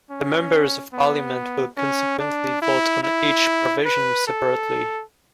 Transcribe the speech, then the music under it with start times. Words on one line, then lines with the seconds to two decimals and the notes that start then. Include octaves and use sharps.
The members of parliament will consequently vote on each provision separately.
0.11 C#4
0.94 B3
1.77 C#4
2.19 D4
2.61 E4
3.03 E4
3.86 B4
4.27 A4